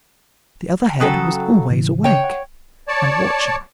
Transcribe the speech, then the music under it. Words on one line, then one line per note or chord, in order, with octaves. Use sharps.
The other head was always awake--and watching.
C#3 F#3 A4 G5 D#6 F#6
A2 C#3 E3
C#3 C#5 G5
F#5
C#5 D5 A5